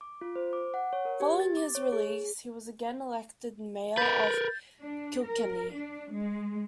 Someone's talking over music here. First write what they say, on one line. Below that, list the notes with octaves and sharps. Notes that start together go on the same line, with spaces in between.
Following his release he was again elected mayor of Kilkenny.
D6
F4
C5
D6
F#5
C#5
A#4
G4
A6
D6
C#5
G#4
A#4 B4 G6 A6
D4
A#4
D4
G#3